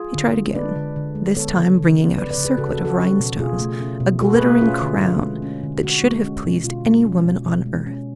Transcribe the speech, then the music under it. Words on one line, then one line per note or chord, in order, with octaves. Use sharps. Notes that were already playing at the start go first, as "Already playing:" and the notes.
He tried again, this time bringing out a circlet of rhinestones, a glittering crown that should have pleased any woman on earth.
Already playing: F4 G#4
D3
G#3
D4 B4 D5
D3
D3
G#3
B3 A4 C#5
C#3
C#3
F3
B3 B4 D5
B4 D5
C#3
G#4 B4
C#3 F#4 A4
F#4 A4
F3
F#4 A4
C#4
B2
B2 F4 G#4
A3
C#4
B2
B2 F#4 A4
G#4 B4
A3
C#4 F4 G#4
D3
D3
G#3
C#4
D3
D3 F#4
G#3
C#4
B2
B2 F4
G#3
C#4
B2
B2
G#3
C#4